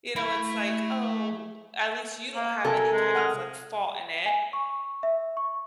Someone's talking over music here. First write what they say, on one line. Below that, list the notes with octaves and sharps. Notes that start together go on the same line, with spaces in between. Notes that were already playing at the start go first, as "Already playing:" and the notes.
you know, it's like, "Oh, at least you don't have any type of, like, fault in it."
A3 E4 E5
A#3
C3 A4 A#4 G#5
G#3
F#5 D#6 F6
G#5
C#6
E5
C#6